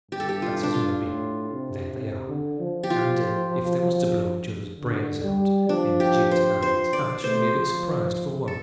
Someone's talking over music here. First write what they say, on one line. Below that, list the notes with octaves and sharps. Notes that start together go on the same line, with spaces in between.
That's as may be. There they are; and if they was to blow each other's brains out in the gig to-night, I shouldn't be a bit surprised for one.
G2 G4
A4
G4
F4
D4
F4
A2
C3
C3
D3
F3
G4
F3 F4
D3
G3
F3 D4
G4
C5
F3 C5
D5
A3 C5
F3
A4